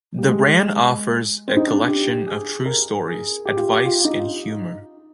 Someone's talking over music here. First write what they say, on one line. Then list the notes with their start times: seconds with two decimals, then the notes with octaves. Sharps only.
The brand offers a collection of true stories, advice, and humor.
0.18 G3
0.28 G#3
1.48 C4
1.57 D#4
1.67 D4
1.87 G4
2.27 G#4
2.66 A#4
3.06 G#4
3.45 G4
3.57 F4
3.69 G4
3.85 F4
4.05 D#4